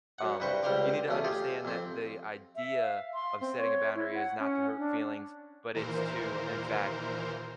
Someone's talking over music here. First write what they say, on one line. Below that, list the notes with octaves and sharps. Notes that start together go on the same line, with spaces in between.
um, you need to understand that the idea of setting a boundary is not to hurt feelings, but, it's to, in fact
F#2 F#5
C2 G2 B4 C5 C#6
C#2 G3 C5 F5 C6 D6
B1 E2 A3 C#4
F4 G4 G#4
F2 C4
E5
F5
C6
C4
C#5
E4
F#5
C#4
D4
D#2 A#2 E3 A#4 C5